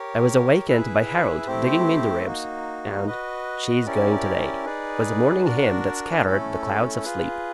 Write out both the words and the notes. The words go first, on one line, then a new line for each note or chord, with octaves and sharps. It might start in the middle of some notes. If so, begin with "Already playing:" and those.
I was awakened by Harold digging me in the ribs, and "She's going to-day!" was the morning hymn that scattered the clouds of sleep.
Already playing: G4 A#4 C#5
E4 G#4 B4 E5
A3 C4 E4 G4 C5
A#3 D#4 F#4
F#4 B4 D#5
C#4 E4 G4 A#4 D5
D#4 G#4 B4 D5
D4 F#4 A#4 D5
A3 C#4 E4 A4
F4 G#4 B4